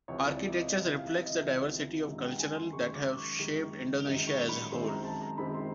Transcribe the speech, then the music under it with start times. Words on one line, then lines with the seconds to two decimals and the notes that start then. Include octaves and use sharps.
Architecture reflects the diversity of cultural that have shaped Indonesia as a whole.
0.08 C#2 C3 E3 C#5
0.30 D5
0.52 D#5
0.74 C#2 C3 E3 D#5
0.91 F5
1.07 E5
1.24 D#5
1.40 C#2 C3 E3 D#5
2.06 F#2 D#3 G#3
2.18 F#5
2.24 G5
2.40 G#5
2.56 C6
2.73 F#2 D#3 G#3 C#6
2.95 D6
3.17 C#6
3.39 F#2 D#3 G#3
4.05 F#2 D#3 G#3
4.27 C#6
4.49 B5
4.71 F#2 D#3 G#3 C4 C6
4.88 A#5
5.04 A5
5.21 A#5
5.38 F#2 D#3 G#3 C4 B5
5.54 C6